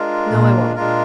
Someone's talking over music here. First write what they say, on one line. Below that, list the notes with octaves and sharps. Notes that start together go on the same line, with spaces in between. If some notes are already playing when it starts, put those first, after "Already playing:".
No, I won't.
Already playing: G#3 D4 F4 A#4
A#2
G#3 D4 F4 A#4